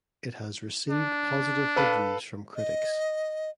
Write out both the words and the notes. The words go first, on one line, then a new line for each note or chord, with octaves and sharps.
It has received positive reviews from critics.
D4
A4 B4 F5
D#5